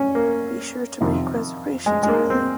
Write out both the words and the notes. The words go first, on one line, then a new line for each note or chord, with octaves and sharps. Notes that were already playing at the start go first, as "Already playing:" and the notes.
Be sure to make reservations early!
Already playing: C#4
A#3
F2 C3 D#3
G#3
G#3
A#3
C4